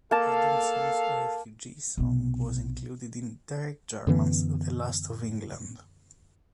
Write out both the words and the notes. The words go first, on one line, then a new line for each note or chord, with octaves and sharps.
Adamson's "Refugee Song" was included in Derek Jarman's "The Last of England".
A#3 A4 F5 A5
B1 C3
F#2 D3 E3 B3